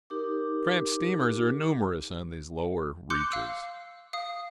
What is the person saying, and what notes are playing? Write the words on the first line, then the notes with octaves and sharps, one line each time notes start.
Tramp steamers are numerous, on these lower reaches.
D#4 G4 A#4 D6
C6 D6 F#6 G6 C#7
F5 E6
F5 D#6